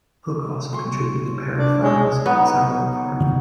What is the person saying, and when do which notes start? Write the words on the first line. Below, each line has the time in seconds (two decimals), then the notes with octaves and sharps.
Hook also contributed to Perry Farrell's Satellite Party.
0.73 C6 C#6
1.57 D4
1.82 G#3 C#4
2.26 F#3 B3 D#4